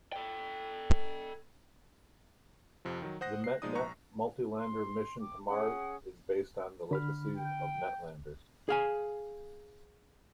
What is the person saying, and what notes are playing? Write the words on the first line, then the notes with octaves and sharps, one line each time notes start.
The MetNet multi-lander mission to Mars is based on the legacy of NetLander.
A4 G5
F2 C3 F3
D#3 F#3
C5 F#5 D#6 F#6 A#6
C7
F3 G#3 D#4 D5 D#6
A#1 A#5 C#6 C#7
C6
G5 D6
C#4 G#4 F#5
D3 B5 F6
G5
G#4 F5 G#5